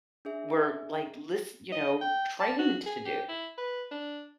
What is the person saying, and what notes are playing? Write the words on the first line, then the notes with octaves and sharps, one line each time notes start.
were, like, lis you know, trained to do.
D4 G#4 E5
D#5
G5
A5
F#4
G#4
G4
E4
B4
D4